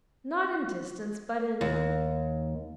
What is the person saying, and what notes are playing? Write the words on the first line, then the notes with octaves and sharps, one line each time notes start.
'Not in distance, but in--.
D#2